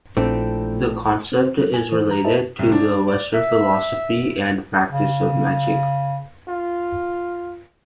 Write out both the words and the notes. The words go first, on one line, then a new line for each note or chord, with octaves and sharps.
The concept is related to the Western philosophy and practice of magic.
A#1 A3 C4 D4 E4 F4 G5
C4 C5
F#3
G#5
E3 C5
A#5
G#4 B4 C5 D#5 E5 A5
C2
D4
D5
E5
C#3
F4